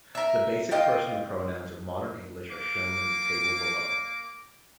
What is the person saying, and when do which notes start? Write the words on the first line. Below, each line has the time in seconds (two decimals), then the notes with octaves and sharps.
The basic personal pronouns of modern English are shown in the table below.
0.15 A#4 E5
0.71 F4 D#5 G5
2.51 A#3 D6